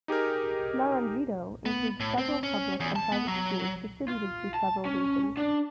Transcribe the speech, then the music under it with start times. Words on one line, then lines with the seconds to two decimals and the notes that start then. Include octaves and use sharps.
Naranjito includes several public and private schools distributed through several regions.
0.08 D#4 G4 G#4 A#4
1.66 B3
2.00 A2
2.18 C4
2.43 C#4
2.80 E2
2.96 A5
3.12 B3
3.27 F#3
4.08 F4
4.54 A5
4.85 C#4
5.37 D4